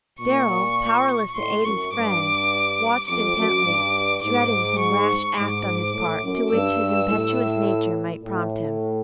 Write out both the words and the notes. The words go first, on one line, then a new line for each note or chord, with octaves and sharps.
Darrell, powerless to aid his friend, watched intently, dreading some rash act on his part to which his impetuous nature might prompt him.
A#2 C#6
A2 C6
F#2 C#6
G2 D6
F2 D6
F#2
G2
G#2 D6
C#6
G#2 D6
A2
F#2
G2 E6
A2
A2